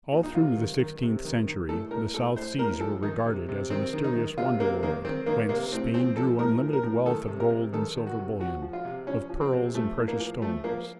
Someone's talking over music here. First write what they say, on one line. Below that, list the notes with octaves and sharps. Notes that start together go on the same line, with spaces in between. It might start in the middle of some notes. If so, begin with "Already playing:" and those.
All through the sixteenth century the South Seas were regarded as a mysterious wonderworld, whence Spain drew unlimited wealth of gold and silver bullion, of pearls and precious stones.
A#2
D#4
C3 F4
D#3
D#3
C3
D#3
D#3
A2 A4
A2 A#4
A2 A4
A2 C5
A2 A#4
F3 A4
D#3 D#4
C3
C3
D#3 C4
D#3
D#4
D#3
C3 F4
C3 A#3
D#3 A#3
D#3 C4
D#3 A#3
C3 A#3
A2 C4
F3 C4
F3 A4
A2 A#4
F3
A#4
A2
D#3 A4
C3
A#4
C3
D#3 A4
D#3
F#4
C3
F3 F#4
F3
F4
C3
F3 C#4
F3
C4
C3
F3 A3
A2
A#3
F3
F3 A3
F3 A#3